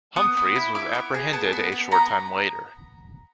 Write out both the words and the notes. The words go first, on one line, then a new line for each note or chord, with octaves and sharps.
Humphries was apprehended a short time later.
B3 D#6
B3
E4
E4 D6
B3
G#4
B3 A5
B3
B3
B3 A#5